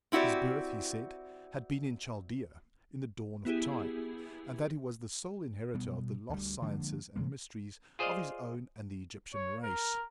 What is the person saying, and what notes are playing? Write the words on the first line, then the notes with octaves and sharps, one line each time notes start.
His birth, he said, had been in Chaldea, in the dawn of time; and that he was the sole inheritor of the lost sciences and mysteries of his own and the Egyptian race.
C4 E4 F#4 G4 D5
B3 E4 G4 G#4
B2 G3 B3
D2 G3
D3 F3 G#3 A#3
C3 E3 G#3 A#3
F4 G#4 C5 D5 D#5 F5
C#5
A#4